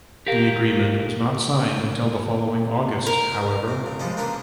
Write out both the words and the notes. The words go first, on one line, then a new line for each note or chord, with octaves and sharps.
The agreement was not signed until the following August, however.
G4 A#4 F5
A#4
C3
C#3
F3 G3 G#3 C#4
A#3 C#4 D4 A#4 B4